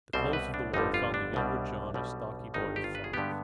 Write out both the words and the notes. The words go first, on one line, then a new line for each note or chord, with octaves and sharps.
The close of the War found the younger John a stocky boy of five.
C2 B2 G3 C4 C5
B4
D4
G1 F2 D3 G3 D#4
F4
D4
C2 B2 G3
B1 B2 G3
G1 G2 D#3 D#4
G4
F4
B4
G#4
G2 D3 G#3 B3 G4